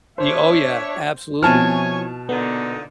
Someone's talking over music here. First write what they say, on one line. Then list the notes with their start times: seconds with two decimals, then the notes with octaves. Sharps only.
Y oh, yeah, absolutely,
0.18 D4 C5 C#5 E5
1.43 B2 F3 C4 E4 C#5 G#5 A5 F6
2.29 A#2 D3 B3 D#4